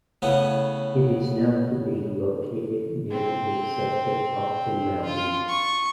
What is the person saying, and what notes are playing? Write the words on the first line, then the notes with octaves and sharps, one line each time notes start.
It is known for being located near the base of Catoctin Mountain.
A2 C#3 B3 C#4
C4
F4
C#6